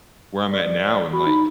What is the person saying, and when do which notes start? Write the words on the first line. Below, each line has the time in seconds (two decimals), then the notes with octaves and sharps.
where I'm at now and, like,
0.51 D5
1.12 F#4 B5
1.26 D#4